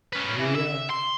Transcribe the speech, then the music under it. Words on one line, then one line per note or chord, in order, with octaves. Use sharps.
"Here we are."
C#4 B4
E3
E5
C6